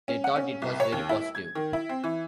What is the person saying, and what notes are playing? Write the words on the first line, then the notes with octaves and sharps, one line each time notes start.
They thought it was very positive.
C#4
F#5
C#4
C2
C#5
D#2
E4
G#6
D#3
E4
C4
E3